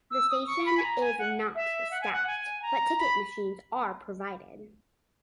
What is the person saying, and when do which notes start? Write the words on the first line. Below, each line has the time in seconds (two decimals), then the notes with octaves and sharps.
The station is not staffed, but ticket machines are provided.
0.11 E6
0.29 D#6
0.47 C#6
0.66 B5
0.78 G#5
0.83 A#5
1.01 G#5
1.18 F#5
1.55 E5
1.91 F#5
2.01 G#5
2.13 F#5
2.27 G#5
2.62 A#5
2.99 B5